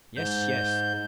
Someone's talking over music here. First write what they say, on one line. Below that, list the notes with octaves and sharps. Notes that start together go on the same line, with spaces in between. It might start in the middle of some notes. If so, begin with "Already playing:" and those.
Yes! yes!
G#2 G6